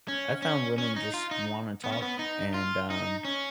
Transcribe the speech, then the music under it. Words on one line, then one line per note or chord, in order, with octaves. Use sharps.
I found women just wanna talk, and, um,
C#4
C#4
C#4
D#4
F4
D#4
B3
C#4
B3
D#4
F4
D#4
C#4